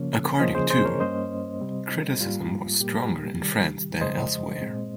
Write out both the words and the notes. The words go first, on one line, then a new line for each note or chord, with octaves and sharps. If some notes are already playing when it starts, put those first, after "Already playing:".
According to ', criticism was stronger in France than elsewhere.
Already playing: C#3 F3 A#3 C#4 C#5
C#3 F3 A#3 C#4 C5 D#5
G#4 C5
G#4 C5
A#4 C#5
G2 G3 A#3 C#4 C5 D#5
C3 G3 C4
G#2 G3 A#3 F4
A#2 G3 A#3 G4
C3 D#3 G3
F2 C#3 F3 G#3 C5 D#5
A#2 G#3 C4